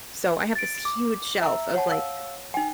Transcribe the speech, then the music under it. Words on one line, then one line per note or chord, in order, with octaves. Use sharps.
So, I have this huge shelf of, like,
A6 D7
D6
E5 A#5 E6
C#5 F#5 A5
F5 E6
D#4 G5 G#5